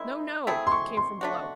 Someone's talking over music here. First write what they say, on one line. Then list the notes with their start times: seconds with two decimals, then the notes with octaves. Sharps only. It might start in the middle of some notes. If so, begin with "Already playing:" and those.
"No, no!" came from below.
Already playing: D#3 G#3 C#4 E4
0.47 A3 C4 E4 G#4
0.67 C6
0.72 C#6
0.97 C6
1.21 A3 D4 F#4